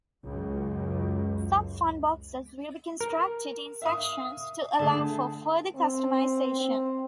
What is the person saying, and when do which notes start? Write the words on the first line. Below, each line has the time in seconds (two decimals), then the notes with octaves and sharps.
Some funboxes will be constructed in sections to allow for further customization.
0.25 C#2 F#2
3.01 A#4
3.82 E5 F5 D#6
4.79 D3 A3 G#4 A5
5.75 C4
6.60 C4